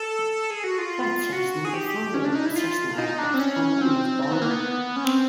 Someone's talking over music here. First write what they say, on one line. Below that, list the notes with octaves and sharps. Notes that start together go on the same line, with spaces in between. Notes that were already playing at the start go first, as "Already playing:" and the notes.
Clyde Cessna, the founder of the Cessna Aircraft Company, was born here.
Already playing: A4
G#4
F#4
F4
F#4
G#4
G4
C#4
D4
D#4
E4
F4
D#4
D4
C4
C#4
C4
C4
B3
A#3
B3
C#4
C4